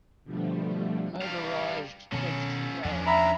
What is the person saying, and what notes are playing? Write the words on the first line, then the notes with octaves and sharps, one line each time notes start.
Motorized pitch roller.
B2 D3 F3 G3 A3
G3 F5
B2 D#3 F#3 C#4 A4
E2 F3 C#4 D4
E5 A#5 B5